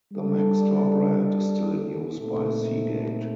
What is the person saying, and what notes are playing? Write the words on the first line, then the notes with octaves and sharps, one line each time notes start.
The Maxtor brand is still in use by Seagate.
G3 D4 A4
A#2 A3 C4 D#4 A4